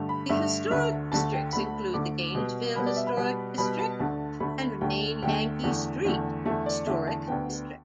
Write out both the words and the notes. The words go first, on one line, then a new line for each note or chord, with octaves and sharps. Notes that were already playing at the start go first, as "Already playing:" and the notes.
The historic districts include the Gainesville Historic District and Main-Yankee Street Historic District.
Already playing: G2 D3 A3
B5
G2 D3 A3 E5
D2 D3 A3 E5
D2 D3 A3 A5
G5
D2 D3 A3 B5
D2 D3 A3 D6
B2 G3 B3
B2 G3 B3 B5
D5
E5
B5
B2 G3 B3
B2 G3 B3 B5
A5
D2 D3 A3 A5
D2 D3 A3 B5
D2 D3 A3 G5
D2 D3 A3 G5
E2 D3 A3
E2 D3 A3
E2 D3 A3 E5
D5
E2 D3 A3 E5
A5
D2 D3 B3 G5